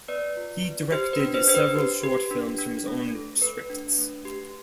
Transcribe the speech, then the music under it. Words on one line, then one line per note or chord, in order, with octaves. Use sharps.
He directed several short films from his own scripts.
B3 B4 D5
F4
B3
G4 C5
B4
D4
C5
D4 C5
B4
G4
G4
D4
D4
A3
A4
A3 B4
D4
A3
G4